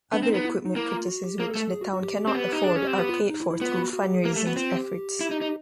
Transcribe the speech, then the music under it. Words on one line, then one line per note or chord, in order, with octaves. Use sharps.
Other equipment purchases which the town cannot afford are paid for through fundraising efforts.
B3 D4
C4
D#4
B3
E4
D#4
A#3 E4
F4
F#4
G4
A#3 G#4
A4
A3
A4
G#4
F#4
F#4
G4
C4
B3
D#4
D4 G#4
C#4 G#4
C4 G4
B3 G4
F4
D#4
E4
E4
B3 F4
F#4
F#4
G4
G#4
A#3 G4
A3
B3 F#4
C4 F4
G4
E4
D#4
D#4